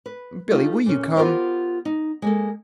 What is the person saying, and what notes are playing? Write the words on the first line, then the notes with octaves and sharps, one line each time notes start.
Billy, will you come?
B4
G3 A3 D#4 F4 G4
A#2 C#4
B3 F4 G4 A#4 C5
D#4
G#3 A#3 A4